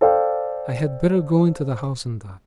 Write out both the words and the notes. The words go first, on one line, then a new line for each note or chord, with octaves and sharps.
I had better go into the house and die.
A4 C5 D5 F5 G5